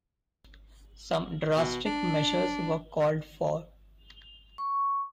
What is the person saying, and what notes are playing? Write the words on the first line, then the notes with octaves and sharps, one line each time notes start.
Some drastic measures were called for.
B2
D4
C#6